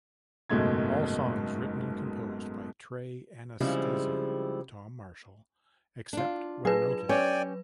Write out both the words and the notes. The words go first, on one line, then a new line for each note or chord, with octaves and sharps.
All songs written and composed by Trey Anastasio, Tom Marshall, except where noted.
F#1 G#2 B2 G#3 A3 G#6
C#3 F3 G3 G#3 C4 E4
D4 F4
F#3 G#4 B4
C#4 G4 C#5 D5 G5 G#5